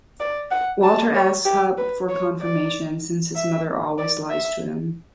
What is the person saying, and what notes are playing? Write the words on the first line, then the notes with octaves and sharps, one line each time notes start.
Walter asks Hub for confirmation, since his mother always lies to him.
D5
F#5
A5
C#5
G4
B4
C#5
D5
E5
D5
E5